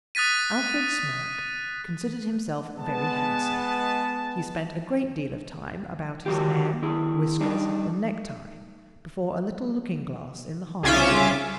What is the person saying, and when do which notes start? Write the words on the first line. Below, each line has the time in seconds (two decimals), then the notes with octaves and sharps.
Alfred Smirk considered himself very handsome; he spent a great deal of time about his hair, whiskers and necktie, before a little looking-glass in the harness-room.
0.15 D#6 F#6 A6 B6 D#7
2.76 G#3 B3 A5
6.26 D#3 F#3 G#3 F4 G4
6.82 D#3 E4 G#4
7.40 G3 D4 D#4
10.83 C2 C#3 C#4 F4 E5 D6